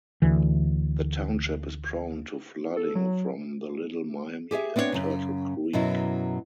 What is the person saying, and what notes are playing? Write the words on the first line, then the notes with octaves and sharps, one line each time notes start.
The township is prone to flooding from the Little Miami and Turtle Creek.
D2 E3
A4
F#3
G4 G#4 C#5 E5
B3 C4 D4 E4 C#5
F#2 C#3
F#2 B2 F#3 E4